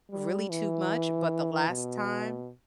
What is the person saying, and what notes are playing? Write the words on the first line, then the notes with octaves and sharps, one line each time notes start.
really too much, but the last time
G3
E3
B2